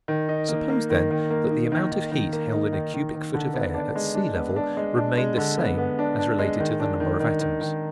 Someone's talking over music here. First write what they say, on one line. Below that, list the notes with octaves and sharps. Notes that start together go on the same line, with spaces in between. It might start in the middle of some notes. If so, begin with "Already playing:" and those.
Suppose, then, that the amount of heat held in a cubic foot of air at sea-level remained the same, as related to the number of atoms.
D#3
D#4
A#3
A#3
D#3
D#3
A#3
D#4
D#3
D#3
D#3
A#3
D#4
D#3
D#3
D#3
D3
B3
D4
G#3
D4
B3
D4
G#3
D4
G#3
D3
B3
B3
D4
D4
G#3
D#3
D4
D#3
D#3
D#3
D#3